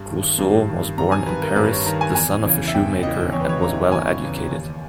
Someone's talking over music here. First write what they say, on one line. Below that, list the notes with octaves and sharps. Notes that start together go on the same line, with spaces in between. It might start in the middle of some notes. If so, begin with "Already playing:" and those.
Rousseau was born in Paris, the son of a shoemaker, and was well educated.
Already playing: G2
D#3
G2
D#3
G2 A#5
G#5
D#3 B4
A#4
G2 B4
C#5
D#3 A#5
G#5
E2 G#5
C#3 E3
E5
E2 G5
C#3 E3 D#5
E2 C#5
B4
C#5
C#3 E3 A#5
E2 G#5
C#3 E3
D#2